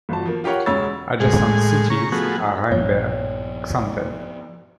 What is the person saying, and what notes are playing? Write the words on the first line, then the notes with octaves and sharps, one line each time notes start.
Adjacent cities are Rheinberg, Xanten.
G1 F3 F#4 A5
F3 A#3
F4 G4 A#4 C#5 F#5
E1 C#3 C#5 E6 A6
A2 G#3 G#4
C#3 A#5 C#6
F3 A3 B3 F#4 G#4
A#1 G2 F3 B3 C#5